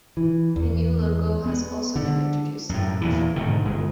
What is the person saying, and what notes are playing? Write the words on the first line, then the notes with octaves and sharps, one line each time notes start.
A new logo has also been introduced to match.
E3
E2
B3
D3
F#2 A2
E2 A#2 E3
G#2 B2 D3 D#3
G1 G#3